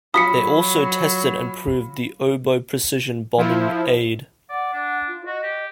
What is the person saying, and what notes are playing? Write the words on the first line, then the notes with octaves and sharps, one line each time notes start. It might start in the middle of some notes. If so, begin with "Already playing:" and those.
They also tested and proved the Oboe precision bombing aid.
F#3 F4 B5 D#6 B6 C#7
F3 E4
D5 F#5
D4
F4
F#4 D#5
G4